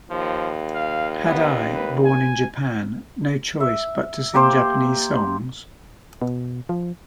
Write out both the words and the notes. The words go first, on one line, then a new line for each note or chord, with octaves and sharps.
Had I, born in Japan, no choice but to sing Japanese songs?
D#2 F3
F5
B3
B4
G#5
E5
A#3 G4 C5
B2
F3